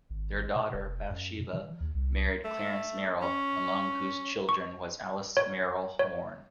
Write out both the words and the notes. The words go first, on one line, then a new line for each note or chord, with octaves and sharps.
Their daughter, Bathsheba, married Clarence Merrill, among whose children was Alice Merrill Horne.
G#1
B2
F1
F#2
B2
E3
D#2
C2
A3
C#4
C#6
C#5
C#5